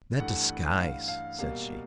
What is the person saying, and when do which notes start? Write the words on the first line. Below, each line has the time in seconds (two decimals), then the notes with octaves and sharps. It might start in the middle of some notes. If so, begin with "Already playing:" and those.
"That disguise!" said she.
0.19 G2 E3 A3 F#5
0.79 F5
1.08 F5
1.39 B2 G3 A#3 F5